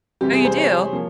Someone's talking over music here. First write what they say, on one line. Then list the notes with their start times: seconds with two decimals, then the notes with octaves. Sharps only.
Oh, you do?
0.21 C3 E3 G3 C4 G4
0.33 G#4
0.45 C5
0.57 C#5
0.93 F3 A#3